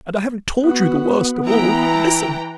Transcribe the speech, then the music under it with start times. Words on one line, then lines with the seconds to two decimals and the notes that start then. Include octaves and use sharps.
And I haven't told you the worst of all. Listen!
0.64 B3 F#4
1.47 E3 E4 G5 A#5